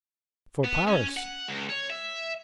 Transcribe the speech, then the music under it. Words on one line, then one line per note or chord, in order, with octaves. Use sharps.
"For Paris."
B3
C#4
F#5
C#2
C#5
E5